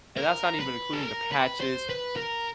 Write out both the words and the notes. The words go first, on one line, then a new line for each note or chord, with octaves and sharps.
And that's not even including the patches
A#4
B4
A4
A#4
B4
C5
B4
A#4